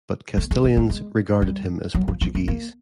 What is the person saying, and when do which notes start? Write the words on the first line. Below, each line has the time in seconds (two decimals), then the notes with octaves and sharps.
But Castilians regarded him as Portuguese.
0.37 A3
0.51 G#3
0.64 A3
0.77 A3
0.90 G#3
1.42 G3
1.94 F#3
2.08 F3
2.21 F3
2.35 A3
2.48 A#3